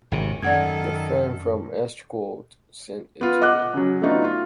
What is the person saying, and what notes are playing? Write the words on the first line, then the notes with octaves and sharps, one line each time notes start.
Your friend from Estrigaud sent it to me.
G#1 C3 C#4
F#2 D#3 A4 D5 F#5 G#6
B3 F4
D#5 F#5 D6 F#6
C#3 F#3
A3 B3 D4 D#4 F4 F#4
F4